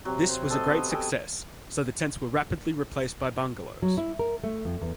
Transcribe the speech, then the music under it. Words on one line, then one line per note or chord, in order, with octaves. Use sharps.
This was a great success, so the tents were rapidly replaced by bungalows.
C3 F#3
C5
A4 D#5 C6
B3
A4 G5 G#5
F#3
E4
A#4
A3
F2
E2